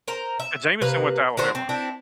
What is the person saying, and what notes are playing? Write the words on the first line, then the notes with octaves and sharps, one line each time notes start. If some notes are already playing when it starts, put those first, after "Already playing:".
And Jameson went to Alabama.
A#4 C5
E5
C3 A#3 B4
D#3 D4 F#4 C5
C4
C4 D4 E4